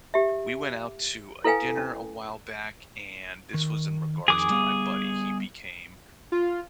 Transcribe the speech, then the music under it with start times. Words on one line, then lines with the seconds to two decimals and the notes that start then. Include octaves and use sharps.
We went out to a dinner a while back and this was in regards to my buddy, he became,
0.14 G4 E5
1.44 E4 A4 B4 F5 G5 G#5
1.77 C#4
3.54 D#3
4.28 F2 D#3 G#4 G#5 D6 D#6
4.50 G3 B3 F5
6.32 F4